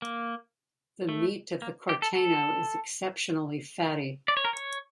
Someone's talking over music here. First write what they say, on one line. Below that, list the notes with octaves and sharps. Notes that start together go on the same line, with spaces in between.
The meat of the Corteno is exceptionally fatty.
A#3
A3
A#3
G4
A4
A4
D5
C#5
A#4
C#5